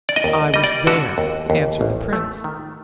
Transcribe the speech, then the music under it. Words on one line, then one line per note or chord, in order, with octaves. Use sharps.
'I was there,' answered the prince.
D5
D#5
D#2
G3 D#5
D5
D3 F#4
D#2
D#2
A1
A3
D#3